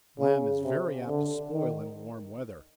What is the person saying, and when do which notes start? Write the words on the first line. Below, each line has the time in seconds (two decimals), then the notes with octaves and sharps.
Lamb is very apt to spoil in warm weather.
0.20 C#3
0.64 C3
1.08 D3
1.53 D#3